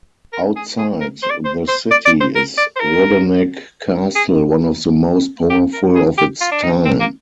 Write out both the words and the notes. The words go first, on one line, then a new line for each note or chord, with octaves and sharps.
Outside the city is Rodeneck Castle, one of the most powerful of its time.
A#4
G#4
G#4
A#4
C5
D5
C5
C5
D5
D5
C5
A#4
D5
C5
A#4
G#4
G4
A#4
G#4
G4
F4
D4
D#4
C4
A#3